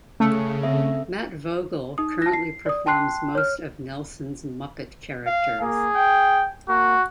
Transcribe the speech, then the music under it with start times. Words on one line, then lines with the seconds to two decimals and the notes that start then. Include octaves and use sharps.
Matt Vogel currently performs most of Nelson's Muppet characters.
0.20 C#3 A3 C#4 C#7
0.63 C4 A4 E5
1.98 D#4 D#6
2.22 A5 A#6
2.33 C7
2.66 D5 D#6
2.86 G5 A5 C6 F#6 C7
3.35 C#5 F6
5.27 F5
5.61 A#3 G#4
5.95 G5
6.69 A#3 F#4